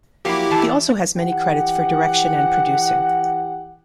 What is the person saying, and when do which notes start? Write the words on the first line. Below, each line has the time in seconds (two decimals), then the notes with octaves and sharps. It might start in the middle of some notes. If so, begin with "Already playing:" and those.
He also has many credits for direction and producing.
0.25 F3 F#3 A#3 E4 G4
0.51 A2 E3 A5
1.17 E3 G4 F#5